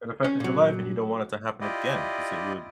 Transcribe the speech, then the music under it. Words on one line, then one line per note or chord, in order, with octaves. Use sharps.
It affected your life, and you don't want it to happen again 'cause it would
C#4
A#2 F#3
E4 F4 G4 D5 D#5